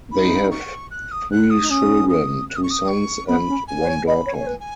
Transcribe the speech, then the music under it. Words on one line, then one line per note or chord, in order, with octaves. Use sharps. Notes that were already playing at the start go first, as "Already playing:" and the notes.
They have three children; two sons and one daughter.
D#4 B5
C#6
F#6
D#6
F#6
D#6
D#4
C#4 D#6
D#6
F#6
D#6
C#6
D#6
C#6
B3 B5
C#4
G#5
B4
C#5
D#5 B5
C#5
G#5
C#5
B4
G#5